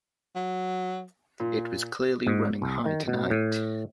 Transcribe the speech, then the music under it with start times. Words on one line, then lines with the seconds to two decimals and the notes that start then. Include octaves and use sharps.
It was clearly running high tonight.
0.36 F#3
1.40 A#2
2.27 G#2
2.62 C2
2.86 D#3
3.08 B2
3.31 A2